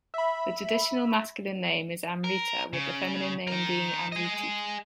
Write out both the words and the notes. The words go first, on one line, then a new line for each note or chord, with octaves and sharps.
The traditional masculine name is Amritha with the feminine name being Amrithi.
E5 B5
A#4
C#3
D#4 A#4
G#4 D#5